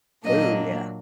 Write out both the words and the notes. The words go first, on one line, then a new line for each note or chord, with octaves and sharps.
Ooh, yeah.
A#2 F#3 A#3 D4 D#5